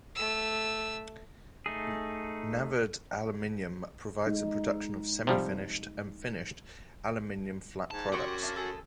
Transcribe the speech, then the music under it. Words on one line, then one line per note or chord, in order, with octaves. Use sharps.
Navard Aluminum provides the production of semi-finished and finished aluminium flat products.
A3 E6
A3 D#4 G#4
G#3 D#4
C3 F3 G3
G#2 A5
F#2 F#4 G4 C6 C#6
D4 D#4 F4
G#4 A4